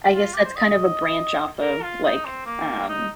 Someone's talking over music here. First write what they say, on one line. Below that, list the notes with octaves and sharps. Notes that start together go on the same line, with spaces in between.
I guess that's kind of a branch off of, like, um,
F4
G4
C5
D#5
D#5
A#4
F4
D#4
C4
A#3
D#4